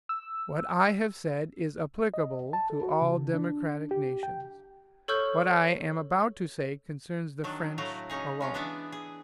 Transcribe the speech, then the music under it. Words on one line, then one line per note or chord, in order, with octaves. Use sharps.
What I have said is applicable to all democratic nations: what I am about to say concerns the French alone.
E6
D#5
A5
A4
F#4
C#3
D4
G4
G5
A4 C#5 C#6 E6 F6 G6
D#3 F#3 D4
A2 F#3 A3 E4 F5 A#5
C#3 C#4 D#4 G#4
G#3 C#4 F4
E3 B3 D4 G#4 D5 E5
G#4